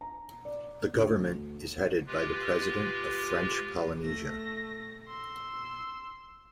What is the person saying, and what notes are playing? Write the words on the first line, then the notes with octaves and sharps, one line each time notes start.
The government is headed by the President of French Polynesia.
A#5
D5
D2
G#3 F4 G4 B4
A3 A#6
C6 E6